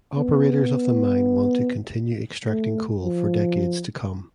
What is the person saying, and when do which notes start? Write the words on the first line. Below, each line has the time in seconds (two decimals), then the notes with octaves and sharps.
Operators of the mine want to continue extracting coal for decades to come.
0.16 B3
2.46 A3
3.03 F3